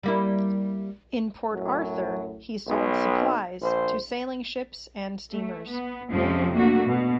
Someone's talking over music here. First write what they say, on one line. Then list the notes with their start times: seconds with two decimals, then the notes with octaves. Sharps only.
In Port Arthur, he sold supplies to sailing ships and steamers.
0.03 G3 A#3 E4
1.52 F#2 A2 F#3
2.68 B1
3.62 A#1 C5
5.32 A3
5.69 B3
6.10 F2 C3 F3 G#3 C4 C#4
6.54 A3 A#3 D4 F#4
6.87 B2